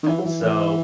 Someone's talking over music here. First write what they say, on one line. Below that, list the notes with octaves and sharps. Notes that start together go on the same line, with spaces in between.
I so
D#3
E3
F#3
E3
E3